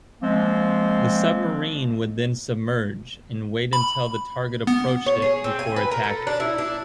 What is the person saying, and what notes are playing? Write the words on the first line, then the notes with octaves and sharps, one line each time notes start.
The submarine would then submerge and wait until the target approached it before attacking.
F3 G#3 A#3 C4
B5
B3
C#5
G#4
C4
G#5
B4
A#4
A4
D4
E4
D4